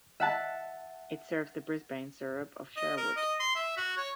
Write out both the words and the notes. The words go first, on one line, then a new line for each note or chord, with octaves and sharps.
It serves the Brisbane suburb of Sherwood.
E5 F#5 A5
D#5
A#4
D#5
C6
E5
F#4
C#5